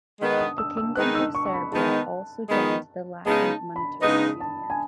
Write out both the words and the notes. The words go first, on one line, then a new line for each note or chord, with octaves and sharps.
The Kingdom of Serbia also joined the Latin Monetary Union.
D#3 G#3 B3 D#4
D#6
E6
E6
D#3 G#3 B3 D#4 F#6
E6
C#6
C#6
B5
D#3 G#3 B3 D#4 A5
D#3 G#3 B3 D#4
C#3 G#3 B3 D#4 A5
B5
C#3 G#3 B3 D#4 D#6
A5
G#5